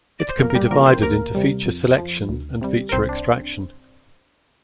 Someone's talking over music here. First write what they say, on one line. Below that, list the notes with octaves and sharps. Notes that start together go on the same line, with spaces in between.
It can be divided into feature selection and feature extraction.
D5
C5
F2 A#3 A#4
A#4
G3 G4
D3 F3 A#3 A#4
C4 C5
D2 A#3 A#4
C3 G3
F2
F3
D2
C3 G3
A#4
C2 C4 C5
D4